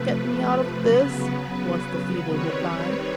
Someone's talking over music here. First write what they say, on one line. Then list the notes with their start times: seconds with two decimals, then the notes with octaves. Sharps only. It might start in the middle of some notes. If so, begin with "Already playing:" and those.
"Get me out of this," was the feeble reply.
Already playing: C3 F3 A3 B4
0.83 C#3 F#3 B3 B4
2.34 D#3 G3 C4 B4 C#5